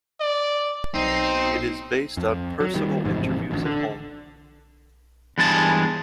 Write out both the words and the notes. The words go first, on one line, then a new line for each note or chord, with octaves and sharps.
It is based on personal interviews at home.
D5
B1 C4 D#4 C7
F2
F#3
D#3 G3
A1 F2 G#2 C3
A1 D2
D3
E2 G2 G#3 G#4 A5